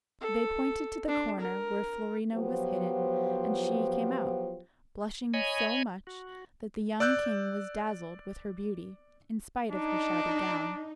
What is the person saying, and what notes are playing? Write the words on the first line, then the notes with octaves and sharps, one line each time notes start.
They pointed to the corner where Florina was hidden, and she came out, blushing so much, that the young king was dazzled with her beauty, in spite of her shabby gown.
A4
D4
A#4
F3 F#3 B3 F4 G4 C5
C#5 D#5 G#5 B5
F#4
D5 E6 F#6 G6
D4 D#4